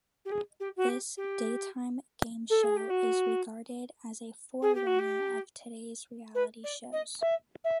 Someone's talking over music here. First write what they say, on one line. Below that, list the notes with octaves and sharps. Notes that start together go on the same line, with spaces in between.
This daytime "game show" is regarded as a forerunner of today's reality shows.
G4
G#4
G4
F#4
G4
G4
A4
G#4
G4
F#4
G#4
G4
F#4
G4
B4
D5
D#5
E5
E5